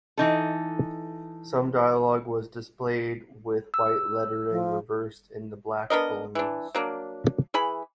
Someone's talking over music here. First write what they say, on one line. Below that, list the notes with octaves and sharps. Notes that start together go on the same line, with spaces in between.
Some dialogue was displayed with white lettering reversed into black balloons.
E3 D#4 A4
E6
F3
B3 D4 A#4 D#5
E3 D4
F#3 A#3 D4
E3 G#4 B5